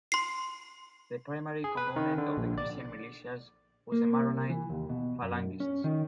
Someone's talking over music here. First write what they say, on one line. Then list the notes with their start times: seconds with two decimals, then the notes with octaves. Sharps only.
The primary component of the Christian militias was the Maronite Phalangists.
0.12 C6 C7
1.64 G#4
1.77 B4
1.96 D#3
2.18 D3
2.37 A#1
2.58 D5
3.92 A#3
4.21 C2
4.49 E3
4.70 D#2
4.89 B2
5.22 F#2
5.60 C#4
5.84 D#3